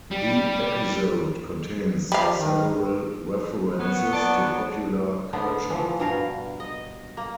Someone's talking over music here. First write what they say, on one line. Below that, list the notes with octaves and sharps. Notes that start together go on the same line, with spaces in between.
The episode contains several references to popular culture.
G3
F3 G3 F5
D#3
F#3 B3
D5 A5
D3 A3 B3
E3 F3
G2 B2 A#4 F5
D#5
A#3